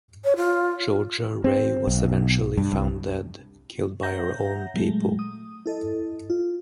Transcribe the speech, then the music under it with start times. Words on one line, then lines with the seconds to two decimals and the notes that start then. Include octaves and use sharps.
Georgia Rae was eventually found dead, killed by her own people.
0.24 C#5
0.36 F4
1.44 C4
1.87 B1
2.58 G2
2.73 C2
4.03 C#5 E5 F#5 A#5 G6 A#6
4.74 A#2 F#3 G#3 A3
5.19 D#6
5.66 E4 A4 D#5
6.30 F4